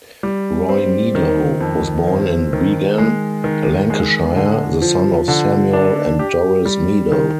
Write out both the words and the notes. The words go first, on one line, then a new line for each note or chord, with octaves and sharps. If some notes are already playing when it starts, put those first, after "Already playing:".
Roy Meadow was born in Wigan, Lancashire, the son of Samuel and Doris Meadow.
G3
C4
D#3
F2
C4
D#3
G#3
D#3
G#3
D3
F3
D3
D4
G4
G3
D#3